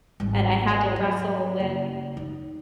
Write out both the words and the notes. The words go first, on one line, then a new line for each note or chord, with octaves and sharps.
and I had to wrestle with
G#1 G3
F#3
F#1
D#4